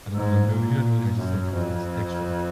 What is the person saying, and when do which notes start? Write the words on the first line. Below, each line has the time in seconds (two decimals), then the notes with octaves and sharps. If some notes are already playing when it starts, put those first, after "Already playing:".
I don't know what I'm doing, you know what I mean? I just look it's extra.
0.14 G#2
0.48 A#2
1.18 F#2
1.53 F2